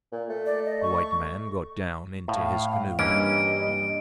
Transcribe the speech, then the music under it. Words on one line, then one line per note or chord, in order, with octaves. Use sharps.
The white man got down into his canoe.
A#2
A3
D5
D#5
C#6
A2 F5
G2 E3 A#3 C#4 D#5 D7